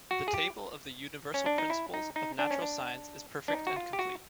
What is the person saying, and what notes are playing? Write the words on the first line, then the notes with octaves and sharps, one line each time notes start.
The table of the Universal Principles of Natural Science is perfect and complete.
F#4
G#4
G4
C#4
D4
D#4
E4
D#4
D#4
D4
C#4
D4
D4
D#4
F#4
F4
G4
F#4